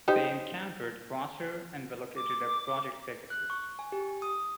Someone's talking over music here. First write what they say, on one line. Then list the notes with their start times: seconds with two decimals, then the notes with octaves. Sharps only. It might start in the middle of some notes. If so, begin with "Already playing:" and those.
They encountered Quasar, and relocated to Project Pegasus.
0.08 D#4 G4 C5
2.16 D6
3.30 F#6
3.50 C#6
3.79 G#5
3.92 G4
4.22 D#6